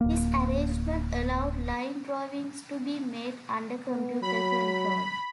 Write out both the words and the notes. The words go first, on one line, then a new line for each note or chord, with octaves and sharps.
This arrangement allowed line drawings to be made under computer control.
D1 A#3
B3
F#3 B5